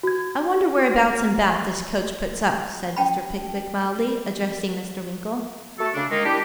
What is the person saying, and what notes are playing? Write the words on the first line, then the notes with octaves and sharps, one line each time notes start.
'I wonder whereabouts in Bath this coach puts up,' said Mr. Pickwick, mildly addressing Mr. Winkle.
F#4 G#6
C#4 G5 A5 B5
A3 F#4 A4
C#3 D4
D#3 G#3 A#3 D#4
D4 E4 G4